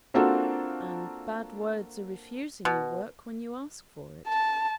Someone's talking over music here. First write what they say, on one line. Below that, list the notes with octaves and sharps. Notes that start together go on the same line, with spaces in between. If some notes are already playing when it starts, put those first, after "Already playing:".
'And bad words are refusing you work when you ask for it.'
A#3 C4 D4 F4 F#4 A4
B2
A5